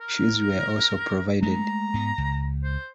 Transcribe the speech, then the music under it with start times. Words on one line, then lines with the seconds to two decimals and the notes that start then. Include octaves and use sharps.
Shoes were also provided.
0.01 A#4
1.43 G#3 A3 A#5
1.94 G#2 B3
2.18 C#2
2.64 C5